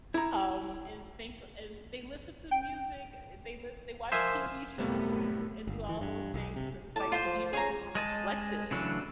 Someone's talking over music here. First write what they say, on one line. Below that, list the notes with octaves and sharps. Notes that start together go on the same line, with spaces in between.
um, and think a and they listen to music, eh, they live they watch TV shows and do all those things, and it's, like, to be a little more reflective
E4 A#5
G5
F3 A#4 C5 D5 E5 G#5
F#2 A2 C3 G3 A3 B3
G1
E3
G2
B1
C3
A2 A5 D6
F4 C5
F3
C#3 G#4 C#5 A#5
G#3 D#5 A5
C#3 E3 F#3 A3 D4